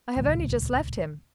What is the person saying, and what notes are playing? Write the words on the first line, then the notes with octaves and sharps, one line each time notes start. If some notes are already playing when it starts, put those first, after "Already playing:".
"I have only just left him."
D#1 C#2 A2